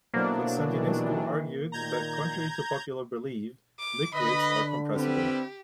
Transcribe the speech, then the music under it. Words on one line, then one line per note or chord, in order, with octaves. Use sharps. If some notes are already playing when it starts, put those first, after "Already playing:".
Constantinescu argued that, contrary to popular belief, liquids are compressible.
B2 D3 F#3 A#3 D4 E4 C5
C3 D#3 E3
A#2 D#3 A#5 G6 G#6
D6
D3 B4 D#5 B5
G3 C4 E4 G4 B4